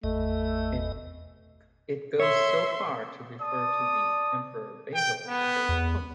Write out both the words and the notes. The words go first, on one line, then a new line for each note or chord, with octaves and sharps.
It goes so far to refer to the emperor Basil as a 'hunk'.
G#1 E2 A3 D#5
C#5 E5 C6
D5 A5 D#6
G5
B3
E2